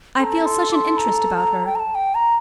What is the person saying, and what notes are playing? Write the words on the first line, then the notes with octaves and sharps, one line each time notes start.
I feel such an interest about her.
A4 A#5 C6
C6
D6
C6
A#5
A#5
G5
A#5
A5
G5
A#5